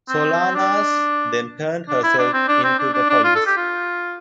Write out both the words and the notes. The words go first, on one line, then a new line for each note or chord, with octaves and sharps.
Solanas then turned herself in to the police.
C4
D4
D4
E4
D4
C4
D4
C4
D4
D4
D4
F4
A4
G4
F4